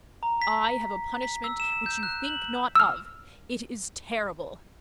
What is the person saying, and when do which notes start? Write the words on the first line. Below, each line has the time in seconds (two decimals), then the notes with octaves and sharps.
I have a punishment which you think not of; it is terrible!
0.23 A#5
0.42 B6
1.23 B6
1.44 E6
1.60 E7
1.86 G6
2.03 F#6
2.24 F#7
2.75 E6 F6